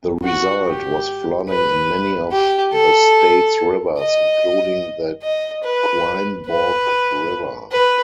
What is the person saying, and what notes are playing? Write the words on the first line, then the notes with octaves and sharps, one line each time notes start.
The result was flooding in many of the state's rivers, including the Quinebaug River.
F#4
G4
B4
G4
A4
D#5
D#5
B4
B4
B4